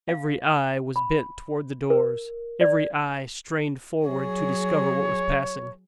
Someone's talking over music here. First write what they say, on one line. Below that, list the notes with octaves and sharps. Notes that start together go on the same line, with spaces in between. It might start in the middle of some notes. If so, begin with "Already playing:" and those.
Every eye was bent toward the doors--every eye strained forward to discover what was passing.
F5
B5
A#4
D5
F#3 G#4 C#5